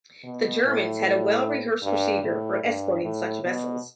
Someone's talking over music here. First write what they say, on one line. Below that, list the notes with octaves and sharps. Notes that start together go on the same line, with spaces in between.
The Germans had a well-rehearsed procedure for escorting such vessels.
B2
A2
G2
A2
G2
A2
B2